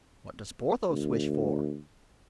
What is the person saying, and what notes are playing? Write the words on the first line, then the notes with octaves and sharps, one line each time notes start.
"What does Porthos wish for?"
D2